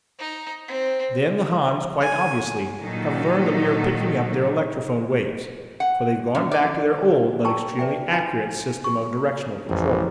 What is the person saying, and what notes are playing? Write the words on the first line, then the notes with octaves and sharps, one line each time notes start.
Then, the Hans quite obviously have learned that we are picking up their electrophone waves, for they've gone back to their old, but extremely accurate, system of directional control.
D#4
C4
G#5
A#2 D#3 F#3 D#4 F#4 A4
F#5
F#2
D5
G5 A5 A#5 C#6 E6
B4 D5 E5 G5
E4 F4 D#5 G#5
C#6
A1 F2